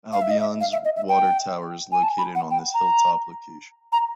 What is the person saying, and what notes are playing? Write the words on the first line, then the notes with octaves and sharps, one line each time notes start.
Albion's water tower is located on this hill-top location.
F5
E5
D#5
E5
F5
E5
D#5
E5
G5
G#5
A5
B5
F#5
G5
A#5
A#5